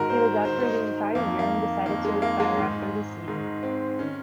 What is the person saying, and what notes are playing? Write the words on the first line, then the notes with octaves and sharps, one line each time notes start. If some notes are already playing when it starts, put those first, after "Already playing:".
He was out for the entire year and decided to retire after the season.
Already playing: G#2 D#3 F#4 A#4
C5
G#2 D#3 C5
D#4
F2 D#3 A#3
A#3
F2 D#3 A#3
G#3
G#3
A#3
G#3
G#2 D#3
G#2 D#3
C4
D#3 C#4